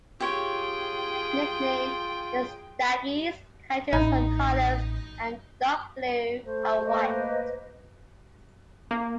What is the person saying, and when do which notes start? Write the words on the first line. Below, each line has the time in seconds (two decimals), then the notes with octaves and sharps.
Nicknamed "The Staggies", County's home colours are dark blue and white.
0.20 F4 G4 G#4 C#5 G5
3.93 A1 D#4
6.45 A3 C5
6.86 A#3 B4 D#5
8.91 A#3